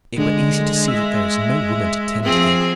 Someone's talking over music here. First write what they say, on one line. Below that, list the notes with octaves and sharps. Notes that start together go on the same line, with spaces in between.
It were easy to see that there is no woman to tend to thee.
D3 G#3
E5
F3 C4 G#4